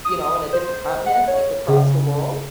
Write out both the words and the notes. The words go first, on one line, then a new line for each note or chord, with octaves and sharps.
you know, in a different continent, like, across the world.
D#6
C5
F#5
C#5
C#3